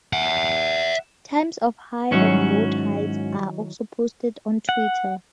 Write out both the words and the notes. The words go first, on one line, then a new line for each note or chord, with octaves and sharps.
Times of high and low tides are also posted on Twitter.
E5 F#5
G#2 D#3 F#3 C#4 E4 F#4
F#5